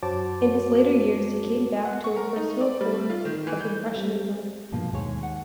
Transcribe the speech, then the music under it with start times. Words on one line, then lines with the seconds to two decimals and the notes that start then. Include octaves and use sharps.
In his later years, he came back to a personal form of impressionism.
0.02 F#2 F#4 C5 C#5 A5 D6
1.85 F#5
2.04 C#6
2.16 A#4
2.36 D#4
2.61 D5
2.81 G3
3.10 F4
3.25 D#3
3.47 E3
3.61 G6
3.95 G3 C4
4.72 G2 B2 F3 A#3
4.93 D#2 G#3 C#5
5.23 F#5